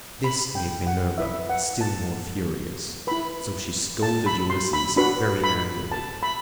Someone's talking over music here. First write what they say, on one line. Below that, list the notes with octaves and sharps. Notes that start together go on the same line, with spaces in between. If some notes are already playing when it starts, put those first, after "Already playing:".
This made Minerva still more furious, so she scolded Ulysses very angrily.
B5
G5
F#5
E4 B4 E5
F#5
A5
E4 B4 B5
A5
B5
C6
B5
D4 F#4 B4 B5
B5
A5
B5